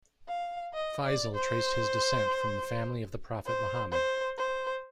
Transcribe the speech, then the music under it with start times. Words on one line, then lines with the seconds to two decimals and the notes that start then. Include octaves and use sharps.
Faisal traced his descent from the family of the Prophet Muhammad.
0.28 F5
0.74 D#5
1.05 D5
1.35 C5
3.46 C5
3.92 C5
4.38 C5